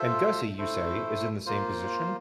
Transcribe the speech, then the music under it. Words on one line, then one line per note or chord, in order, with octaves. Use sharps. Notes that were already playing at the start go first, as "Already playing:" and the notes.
And Gussie, you say, is in the same position?
Already playing: F4 A4 C5 E5
A3 E4 A4 C5
A#3 F4 C5